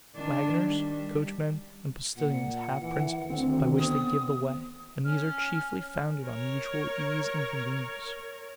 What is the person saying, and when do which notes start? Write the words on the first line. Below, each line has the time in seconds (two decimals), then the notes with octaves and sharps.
Waggoners, coachmen, and postilions have principles, by which they give the way; and these are chiefly founded on mutual ease and convenience.
0.16 D#3 D4
0.63 G3
2.17 A#2 F#5
2.81 E3
3.30 D2 D#3 C4
3.79 B3 D#6
5.05 C#4 F6
6.23 A#4 C#5